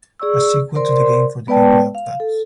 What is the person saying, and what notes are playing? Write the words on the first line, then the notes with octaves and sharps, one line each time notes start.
A sequel to the game for the Game Boy Advance.
G#4 D5 C#6 E6
A#4 C5 D5 C6
G#3 B3 B4 D5 G5 A5
F5
A4